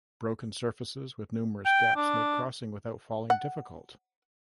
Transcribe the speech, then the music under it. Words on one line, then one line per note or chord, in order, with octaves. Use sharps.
Broken surfaces with numerous gaps make crossing without falling difficult.
G5
D4
F#5